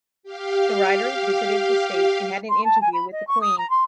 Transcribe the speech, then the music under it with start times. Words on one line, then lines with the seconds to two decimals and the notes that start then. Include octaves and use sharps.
The writer visited the state and had an interview with the queen.
0.23 G4 F5
2.49 C6
2.64 A5
2.81 G#5
2.93 B5
3.12 D#5
3.27 C#6
3.41 D#6
3.58 A#5
3.70 C6